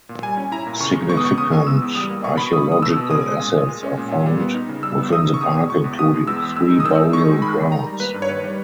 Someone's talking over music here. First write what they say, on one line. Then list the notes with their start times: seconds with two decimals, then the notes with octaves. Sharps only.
Significant archaeological assets are found within the park including three burial grounds.
0.09 A#2
0.22 G3 G#5
0.37 C#4
0.52 E4 A#5
0.67 A#2
0.80 C#3 C#6
0.95 G#3
1.09 B3 C#6
1.17 D#6
1.24 E2 C#6
1.38 C#3 D#6
1.52 G#3
1.67 B3 E6
1.82 E2
1.95 G3 D#6
2.10 A#3
2.24 B2 C#6
2.38 B2 B5
2.46 C#6
2.53 G3 D#6
2.68 A#3 D#6
2.82 B2 E6
2.96 B2
3.10 G#3 D#6
3.25 C#4
3.40 A#2
3.54 A#2
3.69 G#3
3.83 C#4
3.97 A#2
4.11 A#2
4.26 G3
4.40 B3
4.54 D#4
4.69 C#3
4.83 G3 E6
4.98 B3
5.03 E6
5.12 D#4 D#6
5.27 C#3
5.34 C#6
5.41 B2 D#6
5.56 G#3
5.70 E2 C#6
5.84 E2
5.98 B2 D#6
6.14 G#3
6.27 E2 E6
6.42 E2
6.56 G#3 E6
6.70 D#4
6.80 D#6
6.85 D#3 E6
6.99 D#3
7.13 G#3 C#6
7.28 D#4
7.42 D#3 B5
7.58 D#3
7.72 D#3 A#5
7.86 G3
8.00 A#3 B4
8.14 G2
8.22 C#5
8.29 D#3 B4
8.44 G3